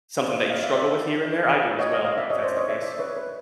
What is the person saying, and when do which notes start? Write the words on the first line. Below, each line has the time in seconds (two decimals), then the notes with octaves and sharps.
something that you struggle with here and there, I do as well, if that's the case.
0.24 C5 D5
0.37 D#5 F5
0.50 D#5 F5
0.63 D5 E5
0.76 D5 E5
1.79 C#5 D#5
1.92 D#5 F5
2.05 D#5 F5
2.18 D5 E5
2.30 C#5 D#5
2.43 C5 D5
2.56 C#5 D#5
2.69 D5 E5
2.82 D5 E5
2.99 B4 C#5
3.17 B4